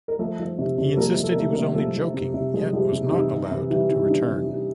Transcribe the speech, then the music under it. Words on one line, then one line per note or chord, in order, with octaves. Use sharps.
He insisted he was only joking yet was not allowed to return.
A#4
F3 A3 A4
F3
C3
C3
A4
F3 A#3 A#4
F3
A4
A#4
C3 A3 A4
A#3 A#4
C3
F3 A3 A4
F3
C3
C3
F3 G#3 G#4
F3 G3 G4
C3
D#4
C3 E3 E4
E3 D#4
C3 E3 E4
E3 G3 E4
C3 E3 E4
D#4
E3 D4
C3
G3